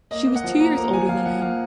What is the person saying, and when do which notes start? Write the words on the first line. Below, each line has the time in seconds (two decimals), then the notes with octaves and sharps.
She was two years older than him.
0.11 A#3 D#5
0.27 A#3
0.35 F#5
0.44 F3
0.60 A#3 A#5
0.76 A#3 A#5
0.93 F3 G#5
1.09 F3 F5
1.25 F3 F#5
1.42 A#3 F5